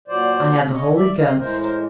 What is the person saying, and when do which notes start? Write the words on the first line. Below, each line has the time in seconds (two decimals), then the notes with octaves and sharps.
I have the Holy Ghost.
0.08 A#2 F#3 C5 D5
0.74 C#5 D#5
0.95 D5 E5
1.17 D#5 F5
1.39 A2 E3 G#3 A#4 C5
1.61 A#4 C5